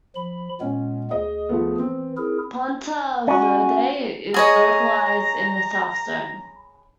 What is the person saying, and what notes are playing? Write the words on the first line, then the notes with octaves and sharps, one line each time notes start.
Ponta Verde is localised in the South Zone.
F3 B5
A#2 G#3 B3 C#4
D2 G#4 D#5
F3 A3 B3
E3 C4
E4 G#4 A#4
C#4 F#4
G#4 C#5 D#5 A#5